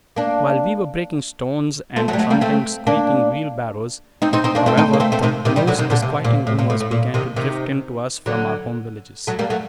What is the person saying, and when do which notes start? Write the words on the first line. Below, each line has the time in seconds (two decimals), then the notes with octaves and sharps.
While we were breaking stones and trundling squeaking wheelbarrows, however, the most disquieting rumors began to drift in to us from our home villages.
0.16 A#3 D4
1.96 A3 C4
2.08 F#3 A3
2.13 G3
2.19 F#3 A3
2.30 G3 A#3
2.41 A3 C4
2.87 A#3 D4
4.22 C4 D#4
4.33 C4 D#4
4.44 C4 D#4
4.55 A#3 D4
4.66 A3 C4
4.77 C4 D#4
4.93 A#3
5.00 A3 C4
5.12 A3 C4
5.23 C3 D#3
5.45 C3 D#3
5.56 D#3 G3
5.67 D3 F#3
5.79 C3 D#3
5.90 A#2 D3
6.02 C3
6.24 A#2
6.47 A2
6.59 A#2
6.70 A2
6.80 A2
6.91 A#2
7.14 C3 D#3
7.36 C3 D#3
8.26 D3 F#3
9.27 F#3 A3
9.39 G3 A#3
9.50 F#3 A3